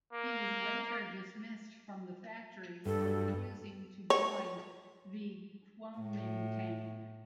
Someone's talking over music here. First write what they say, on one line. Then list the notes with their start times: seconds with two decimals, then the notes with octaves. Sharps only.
He was later dismissed from the factory for refusing to join the Kuomintang.
0.13 A#3
2.86 G2 A4
4.10 C#5
5.99 A2